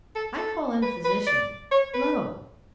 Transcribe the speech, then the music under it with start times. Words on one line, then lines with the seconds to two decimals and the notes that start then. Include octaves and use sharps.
I call in a physician; lo!
0.16 A4
0.38 A4
0.82 B4
1.05 B4
1.27 D5
1.71 C#5
1.94 B4